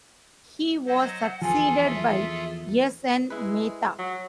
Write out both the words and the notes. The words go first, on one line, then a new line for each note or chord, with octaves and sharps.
He was succeeded by S. N. Mehta.
F#3 C5 D#5 F#5
E2 F3 F4 G#4 A4 G#5
E5
G#3 E4 B4
F#3